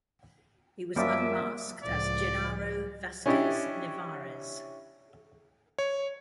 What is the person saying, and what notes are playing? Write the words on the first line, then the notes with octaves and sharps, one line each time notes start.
He was unmasked as Genaro Vazquez Nevarez.
F#2 F3 G3 A#3 E5 D6
C#2 A2 F3 D5
C#4 D4 E4 G4 D#5
C#5